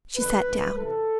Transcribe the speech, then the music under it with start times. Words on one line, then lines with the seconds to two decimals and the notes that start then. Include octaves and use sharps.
She sat down.
0.17 F2 D3 B4
0.47 G#2 D#3
0.78 E2 C3 E3 A4